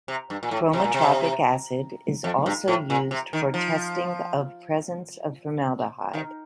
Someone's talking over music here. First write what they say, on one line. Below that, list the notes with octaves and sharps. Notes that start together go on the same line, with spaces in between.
Chromotropic acid is also used for testing of presence of formaldehyde.
C3
G2
A#2
A2
C3
A#2
C3
F2
G2
A2
A#2
C3
D#3
F3
D#3